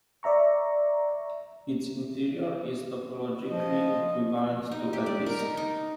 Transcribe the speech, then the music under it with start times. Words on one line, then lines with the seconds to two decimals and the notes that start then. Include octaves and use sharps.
Its interior is topologically equivalent to a disk.
0.23 D5 E5 A#5 C#6
3.49 F3 D#5
4.72 D#4
4.93 G4
5.06 D5
5.26 A#4
5.39 D#4
5.57 D#4